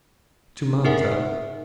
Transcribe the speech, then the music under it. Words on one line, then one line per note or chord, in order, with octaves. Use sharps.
"To Malta?"
D#4 G#4 A#4 E5 F#5